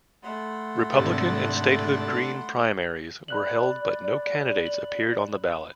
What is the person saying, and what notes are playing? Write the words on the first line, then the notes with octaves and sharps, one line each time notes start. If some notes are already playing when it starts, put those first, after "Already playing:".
Republican and Statehood Green primaries were held but no candidates appeared on the ballot.
A3 F#5 B5 C6
G#1 C3 D4 A4
D5 B5 F#6 F#7
F#7